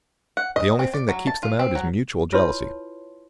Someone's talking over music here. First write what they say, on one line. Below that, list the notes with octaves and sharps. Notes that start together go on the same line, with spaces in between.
The only thing that keeps them out is mutual jealousy.
F#5
D#5
C4
D5
F#3
A5
F4
C4
F#3
E4 F4 B4 C#5 A5 C6